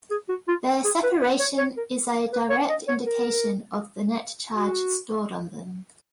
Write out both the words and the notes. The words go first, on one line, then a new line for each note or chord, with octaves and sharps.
Their separation is a direct indication of the net charge stored on them.
G#4
F#4
F4
G#4
B4
B4
C#5
C#5
A#4
B4
C#5
D#5
C#5
A#4
F#4